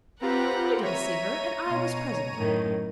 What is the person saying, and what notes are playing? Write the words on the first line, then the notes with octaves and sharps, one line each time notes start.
"I didn't see her, and I was present."
C4 F4 G4 B4 F#5 A#5
C#5 E5 A#5 D#7
B2
F#2 A2 D#3